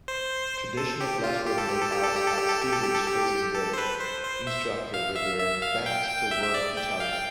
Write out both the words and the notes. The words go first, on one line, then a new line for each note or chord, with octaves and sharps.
Traditional classroom layouts had students facing the instructor with their backs toward each other.
C5
A4
G4
F4
G4
A4
G4
A4
G4
A4
G4
A4
G4
A4
G4
A4
G4
A4
G4
A4
C5
B4
C5
C5
E5
F5
E5
E5
F5
G5
G5
E5
E5
D5
G5
G5
F5
G5